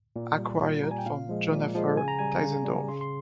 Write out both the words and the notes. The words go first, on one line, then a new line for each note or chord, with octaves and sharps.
Acquired from Jonapher Deisendorf.
A#2
G3
A#2
G3 A#5
G#5
G5
A#2 F5
F3 G#3
A#2
F3 G#3
C#3 G#5
A#5
G3 G#5
C#3
G3
C#3 C6
C6